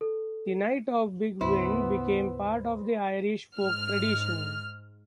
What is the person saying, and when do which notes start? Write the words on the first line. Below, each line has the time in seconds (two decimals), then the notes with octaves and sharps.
The Night of the Big Wind became part of Irish folk tradition.
0.01 A4
1.41 D2 G#2 C#3 B3 E4 B4 C5
3.57 G#2 F6